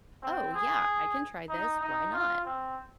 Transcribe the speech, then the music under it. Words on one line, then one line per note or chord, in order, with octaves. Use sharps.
"Oh, yeah, I can try this, why not?
C4
G#4
D#4
D#4
F4
C4